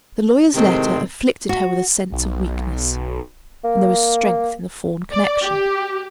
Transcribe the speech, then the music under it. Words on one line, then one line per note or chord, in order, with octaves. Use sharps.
The lawyer's letter afflicted her with a sense of weakness, and there was strength in the Fawn connexion.
A2 C3 D#3 G#3 C4
F#4
B1
A#3
D5
G4